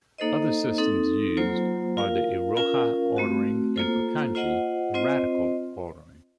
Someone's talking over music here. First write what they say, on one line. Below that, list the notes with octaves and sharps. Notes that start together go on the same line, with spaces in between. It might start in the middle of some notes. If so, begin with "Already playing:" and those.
Other systems used are the "iroha" ordering, and, for kanji, the radical ordering.
A#3 D#4 A4 C5 D#5
C4 D#4 A4
F#3 A#3 F4 C5
F4 A#4 F5
C#4 F4 A#4 F5
A3 C4 F#4
A#3 F4 A4 C5
F4 C5 D#5 F#5
C4 F4 C5 D#5